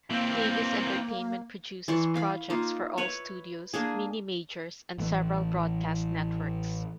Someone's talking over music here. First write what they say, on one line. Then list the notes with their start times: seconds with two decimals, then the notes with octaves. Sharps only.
Davis Entertainment produces projects for all studios, mini-majors, and several broadcast networks.
0.10 E3 A#3 C4
1.88 E3 D5 C6 C#6
2.15 F5 B5
2.50 A#3 D#4 F4
2.97 B4 C#5 E5
3.74 A#3 D4 G#4
4.98 A1 E3 A3